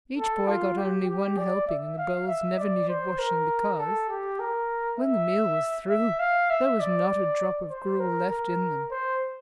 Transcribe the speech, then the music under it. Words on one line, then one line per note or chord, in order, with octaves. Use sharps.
Each boy got only one helping, and the bowls never needed washing, because, when the meal was through, there was not a drop of gruel left in them.
A4
F4
G4
G4
D5
E5
F5
E5
D5
C5
A#4
A4
G4
A#4
E5
E5
F5
E5
D5
C5
A#4
A#4
C5